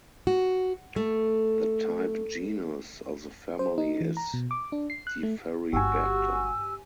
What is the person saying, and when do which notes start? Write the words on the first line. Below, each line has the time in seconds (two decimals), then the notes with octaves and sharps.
The type genus of the family is "Deferribacter".
0.27 F#4
0.96 A3
3.59 C5
3.78 D#4
4.01 E3
4.17 A#5
4.34 B2
4.51 D6
4.72 D4
4.90 C7
5.07 F#6
5.23 A3
5.73 G1 F#4 G4 G#5 E6